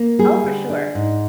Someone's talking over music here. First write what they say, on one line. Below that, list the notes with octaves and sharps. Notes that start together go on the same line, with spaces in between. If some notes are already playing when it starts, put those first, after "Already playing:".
Oh, for sure.
Already playing: A#3
G3 G#4
D3
D4
G#2